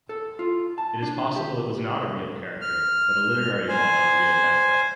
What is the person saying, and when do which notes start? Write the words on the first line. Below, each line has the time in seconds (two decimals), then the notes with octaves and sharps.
It is possible it was not a real character but a literary one on a real background.
0.09 A4
0.39 F4
0.78 A5
1.02 D4
1.36 G4
2.61 F6
3.68 C5 G#5